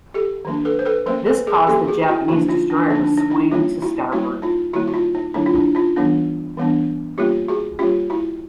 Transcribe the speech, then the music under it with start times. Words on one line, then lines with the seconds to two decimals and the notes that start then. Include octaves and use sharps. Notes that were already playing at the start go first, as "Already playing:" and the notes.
This caused the Japanese destroyer to swing to starboard.
0.14 G4 A4
0.45 D#3 F#3 A#3 D4
0.65 A4 B4
0.79 C5
0.86 A4 B4
1.06 F#3 A#3 C#4 A#4 C5
1.26 A4 B4
1.47 G#4 A#4
1.67 F#3 A#3 C#4 G4 A4
1.87 F#4 G#4
2.08 E4 F#4
2.28 D3 F3 A#3 D4 E4 F#4
2.49 D#4 F4
2.70 D4
2.90 D3 F3 A#3 D4 D#4
3.04 D4
3.17 D#4
3.30 D4 E4
3.51 G3 A#3 C#4 D#4 F4
3.82 E4 F#4
4.12 G3 A#3 C#4 E4 F#4
4.42 D#4 F4
4.73 D#3 G3 A#3 E4 F#4
4.88 F#4
4.94 D#4 F4
5.15 D#4
5.34 D#3 G3 A#3 D4 E4
5.46 F4
5.55 D4 E4
5.75 D#4 F4
5.96 E3 G3 B3 D4
6.57 E3 G3 B3 D4
7.18 G3 A#3 C#4 F4 G4
7.48 F#4 G#4
7.79 G3 A#3 C#4 F4 G4
8.10 E4 F#4